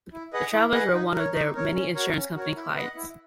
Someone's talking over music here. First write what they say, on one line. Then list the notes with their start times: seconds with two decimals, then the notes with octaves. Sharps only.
The Travelers was one of their many insurance company clients.
0.13 E4
0.33 G#4 B4 D#5 F#5
0.53 E4
0.73 G#4 B4 D#5 F#5
0.94 D#4
1.14 A#4 C#5
1.34 D#4
1.54 A#4 C#5
1.75 C#4
1.95 F#4 A#4 C#5
2.15 C#4
2.35 F#4 A#4 C#5
2.56 E4
2.75 B4 D#5 F#5
2.96 E4